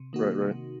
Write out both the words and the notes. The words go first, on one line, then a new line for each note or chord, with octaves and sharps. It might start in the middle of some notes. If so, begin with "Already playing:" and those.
Right, right.
Already playing: C3
D#3 A#3 D#4 F#4
C3